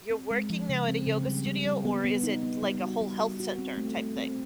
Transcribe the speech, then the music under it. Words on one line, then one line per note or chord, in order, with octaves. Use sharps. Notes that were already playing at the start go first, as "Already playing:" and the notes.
you're working now at a yoga studio or is it like a whole health center type thing?
C4
G#3
F3
C#3
C4
C#3
G3
G3
G3
B3
B3
D#4
B3
G3
F#4
G3
F#4
F#4
C4
A3
A3
C4